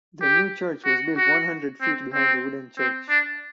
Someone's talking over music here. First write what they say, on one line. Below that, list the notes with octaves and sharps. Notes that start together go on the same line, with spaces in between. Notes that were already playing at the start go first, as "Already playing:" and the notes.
The new church was built one hundred feet behind the wooden church.
G4
F#4
F#4
C4
C4
C4
D4